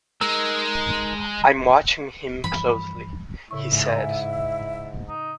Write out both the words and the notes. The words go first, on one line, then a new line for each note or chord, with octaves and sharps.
"I'm watching him closely" he said.
G#3 D#4 A#4 E6
G2 E3 F3 B5
A2 C#3 E4 C#6
G#2 E5
D#4